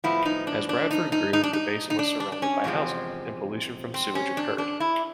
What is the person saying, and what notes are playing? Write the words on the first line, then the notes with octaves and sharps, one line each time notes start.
As Bradford grew, the basin was surrounded by housing, and pollution from sewage occurred.
A2 F3 G#3 B3 E4
D#4
D4
D4
D#4
D#4
D#4
D4
D#4
D#4
D4
D4
D4
C#4
E2 C3 F3 G#3 C4
C4
C#4
D4
D4
E4